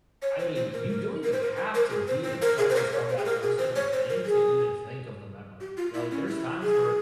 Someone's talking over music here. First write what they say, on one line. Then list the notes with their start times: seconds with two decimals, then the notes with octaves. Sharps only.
I mean, you don't even have to be in the presence of that person or thing to even think of the memory, like, there's times where
0.22 C#5
0.39 C5
0.56 C5
0.73 A#4
0.89 A#4
1.24 A#4
1.32 C5
1.42 A#4
1.57 C5
1.75 A#4
1.90 G#4
2.07 C5
2.24 C5
2.42 A#4
2.58 G#4
2.70 C5
2.75 A#4
2.92 C#5
3.09 C5
3.18 G#4
3.25 A#4
3.43 G#4
3.58 C5
3.76 C#5
3.93 C5
4.10 A#4
4.26 G#4
5.61 G4
5.77 F4
5.94 E4
6.11 C#4
6.28 E4
6.62 G#4